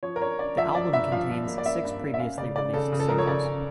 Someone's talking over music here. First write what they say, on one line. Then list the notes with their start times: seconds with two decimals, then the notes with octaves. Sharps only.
The album contains six previously released singles.
0.03 F3 C#5
0.16 A#4
0.21 D4 C#5
0.39 D4 D5
0.58 F3 E5
0.75 F3 D5
0.93 G2 E5
1.12 F3 F5
1.30 F3
1.48 A#3
1.58 D5
1.66 A#3 E5
1.84 G2
2.01 A#3
2.14 E5
2.19 C#4 F5
2.37 C#3 D5
2.55 C#3 D5
2.73 C#3 A4
2.92 C#3
3.00 A4
3.09 F3 A#4
3.18 C#5
3.27 C#3 D5
3.45 C#3